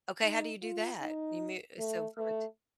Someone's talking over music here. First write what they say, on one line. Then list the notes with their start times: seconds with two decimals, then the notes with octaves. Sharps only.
Okay. How do you do that? You mute eh, so from a t
0.23 D#4
0.62 F4
1.01 D#4
1.79 A3
2.17 A3